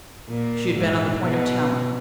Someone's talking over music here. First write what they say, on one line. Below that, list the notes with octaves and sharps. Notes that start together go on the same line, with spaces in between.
She had been on the point of telling.
A#2
G#2
B2